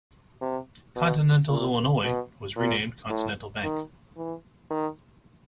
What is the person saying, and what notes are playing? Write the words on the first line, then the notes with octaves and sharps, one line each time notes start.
Continental Illinois was renamed Continental Bank.
C3
B2
A#2
B2
A#2
A2
D#3
E3
D#3